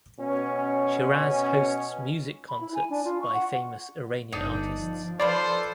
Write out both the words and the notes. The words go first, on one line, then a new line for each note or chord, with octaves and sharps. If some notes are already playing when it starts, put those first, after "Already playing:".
Shiraz hosts music concerts by famous Iranian artists.
B2 C#4
B5
E4
G#5
D4
F4
C#6
F#5
G1 D4 D#4
F3
F4 A4 B4 C5 D5 F5